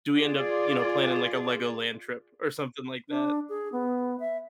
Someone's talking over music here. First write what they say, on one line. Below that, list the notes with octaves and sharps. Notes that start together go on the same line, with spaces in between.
do we end up, you know, planning, like, a LEGOLAND trip or something like that?
F4 G#4 D5
D4
G#4
B3
E5